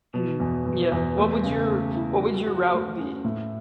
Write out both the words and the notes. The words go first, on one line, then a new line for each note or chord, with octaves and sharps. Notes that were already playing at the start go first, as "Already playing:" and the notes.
Mm, yeah. What would your what would your route be?
B2
E2
E2
E2
A3
C#3
A3
E4
F#4
F#4
A3
C#4
A2